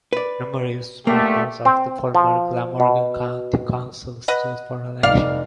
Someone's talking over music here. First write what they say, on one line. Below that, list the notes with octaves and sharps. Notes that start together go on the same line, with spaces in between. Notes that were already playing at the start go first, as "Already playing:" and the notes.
Numerous members of the former Glamorgan County Council stood for election.
B4 D5
C#2 D3 A3 A#3 G4
C4
F3
B2
B4 D#5 F#5
F1 D#4 D5 F5